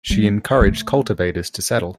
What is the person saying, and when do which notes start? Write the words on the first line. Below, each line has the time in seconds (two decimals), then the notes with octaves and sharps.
She encouraged cultivators to settle.
0.10 G3
0.61 G3
0.66 A3